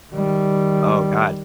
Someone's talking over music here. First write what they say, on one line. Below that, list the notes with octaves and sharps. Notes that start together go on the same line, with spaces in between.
Oh, god.
D#3 G3